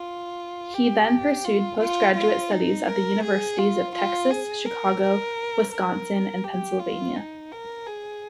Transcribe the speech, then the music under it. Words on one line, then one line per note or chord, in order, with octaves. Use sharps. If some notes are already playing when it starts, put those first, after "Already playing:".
He then pursued postgraduate studies at the universities of Texas, Chicago, Wisconsin, and Pennsylvania.
Already playing: F4
G4
F4
F4
F4
D#4
A#4
G#4
F4
F4
G#4
A#4
A#4
A#4
G4
F4
D#4
A#4
G#4